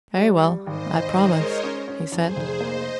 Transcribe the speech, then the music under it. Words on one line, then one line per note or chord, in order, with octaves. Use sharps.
"Very well--I promise," he said.
G3
G3
G#1 C5 D#5
G#1
D#4 A#4 C#5
G#3
C#4
C#4
F2 G#4 C5
F1
A#3 C5 D#5